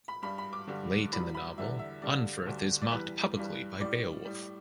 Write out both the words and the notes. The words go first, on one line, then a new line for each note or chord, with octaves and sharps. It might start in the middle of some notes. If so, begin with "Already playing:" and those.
Late in the novel, Unferth is mocked publicly by Beowulf.
B5
G2 G3 B5
B5
D6
G2 D3 G3
E2 B2 G3 B5
B5
E2 D3 G3 E5
E5
G2 D3 G3 D5
D2 D3 G3
D5
E2 E3 G3 B4
G2 E3 G3
A2 G3 D5
A2 G3